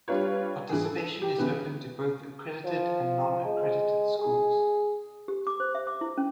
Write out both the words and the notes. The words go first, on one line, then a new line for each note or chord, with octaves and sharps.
Participation is open to both accredited and non-accredited schools.
G3 D4 F4 B4 C#5
E3 G#4
A4
G4
C#3 E3 B3
F3
G#3
G#4
G4
D6
C5
E5
D6
E4
C#4